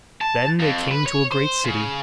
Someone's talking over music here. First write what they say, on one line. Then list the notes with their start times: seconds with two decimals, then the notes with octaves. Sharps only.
Then they came to a great city.
0.21 A5
0.60 F2
0.91 B4
1.06 C#5
1.32 C5
1.65 C#3